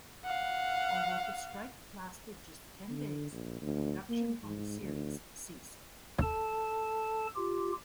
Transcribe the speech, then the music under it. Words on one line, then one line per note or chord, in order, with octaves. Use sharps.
Although the strike lasted just ten days, production on the series ceased.
F5 F#5
D3
A#1
D2
A#3
G#2
D2
A4 A5
F4 G4